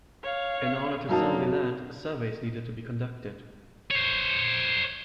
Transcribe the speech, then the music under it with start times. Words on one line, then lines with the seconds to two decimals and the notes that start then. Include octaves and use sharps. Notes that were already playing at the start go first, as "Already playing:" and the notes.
In order to sell the land, surveys needed to be conducted.
0.23 C#5 F5
1.09 F#2 F#3 A#3 D#4 A5
3.91 C5 C#5